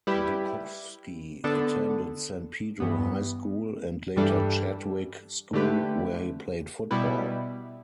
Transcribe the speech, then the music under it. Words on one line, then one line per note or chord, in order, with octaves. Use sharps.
Dukowski attended San Pedro High School and later Chadwick School, where he played football.
G3 E4 G4 B4
D3 B3 D4 A4
G2 E3 B3
G2 E3 G3 D4 A4
D3 A3 G4 B4
B2 G3 E4 B4